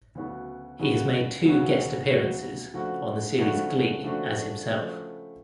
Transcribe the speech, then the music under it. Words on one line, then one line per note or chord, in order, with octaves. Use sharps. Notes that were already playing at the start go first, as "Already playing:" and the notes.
He has made two guest appearances on the series "Glee" as himself.
D2 C#3 F#3 B3 F#4
D2 C#3 F#3 B3 F#4
D2 C#3 F#3 B3 F#4
D2 C#3 F#3 B3 F#4
C#3 F3 A3 D4 F#4
C#3 F3 A3 D4 F#4
C#3 F3 A3 D4 F#4
C#3 F3 A3 D4 F#4